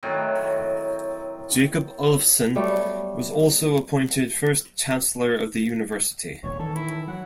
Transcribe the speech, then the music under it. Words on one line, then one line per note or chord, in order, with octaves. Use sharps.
Jakob Ulvsson was also appointed first chancellor of the university.
A2 D#3 F#3 C4
F#3 G3 A3 B3
D#1 A#2 C#5
D#3 E3 A4
E4
F#3 F#5